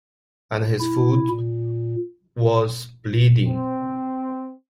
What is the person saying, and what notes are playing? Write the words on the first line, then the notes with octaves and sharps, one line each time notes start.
And his foot was bleeding.
E4
A#2
C4